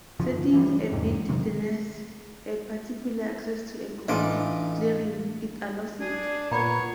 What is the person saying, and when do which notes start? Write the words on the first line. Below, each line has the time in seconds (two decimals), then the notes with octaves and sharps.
Setting a bit denies a particular access to a group; clearing it allows it.
0.19 G1 C#3 F3
0.53 E3 F3 G3
0.92 G1 E2 G#2 C3
1.29 C3 D#3 F#3 C4
4.09 A1 A3 D4 D#4 F4 D6
6.01 D4 G#4
6.51 A#2 B3 C#5 A#5 B5 G#6